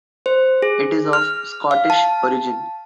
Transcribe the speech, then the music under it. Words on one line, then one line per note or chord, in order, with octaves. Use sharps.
It is of Scottish origin.
C5
G#4
F6
F5
A5